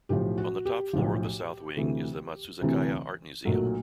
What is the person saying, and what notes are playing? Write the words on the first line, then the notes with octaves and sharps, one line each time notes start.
On the top floor of the south wing is the Matsuzakaya Art Museum.
B1 A2 F3 G4
F#4
G4
B1 A2 F3
D2 C3 E3 A3
D2 C3 E3 A3
B1 A#2 F#3 A3